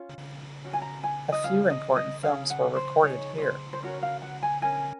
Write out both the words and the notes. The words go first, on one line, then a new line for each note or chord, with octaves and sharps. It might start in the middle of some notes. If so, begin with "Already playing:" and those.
A few important films were recorded here.
Already playing: C#4 F4
C#4 F#4
G#5
A#5
G#5
D#5
C#4 G#4 F5
D#5
D#5
C#4 G#4 F5
F#5
C5
D#4 G#4 C#5
C#5
C5
C5
C#4 F#4 A#4 C#5
F5
F#5
G#5
C#4 F#4 A#4 G#5